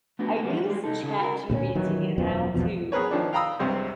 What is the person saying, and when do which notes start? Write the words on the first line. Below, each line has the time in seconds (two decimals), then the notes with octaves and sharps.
I use ChatGPT now to
0.19 A3 B3 D4 F#4
0.43 E3 F3 G3 B3
0.65 G3 G#3
0.84 C2 D#4 A4
1.03 C#3 G#4 A4
1.20 F#4 A#4
1.50 D2 A#2 A#3 C#4
1.75 D#3 E3 F#3
2.18 E1 F#2 F3 B3
2.54 A#1 E2 B2 F3
2.92 B3 G#4 A#4 B4 C#5
3.11 D#3 F3 D4
3.33 F5 G5 A#5 B5 D#6 E6
3.59 C#2 G2 C3 C4